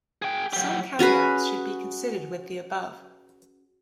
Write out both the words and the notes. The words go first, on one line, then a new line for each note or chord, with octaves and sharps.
Some caveats should be considered with the above.
G#4 G5
F#3 G4
C#4 F#4 G#4 B4